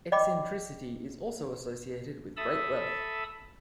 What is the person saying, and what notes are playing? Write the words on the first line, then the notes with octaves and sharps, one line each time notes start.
Eccentricity is also associated with great wealth.
D5 D#5 G5 B5 D6
A4 E5 A5 B5 D#6 E6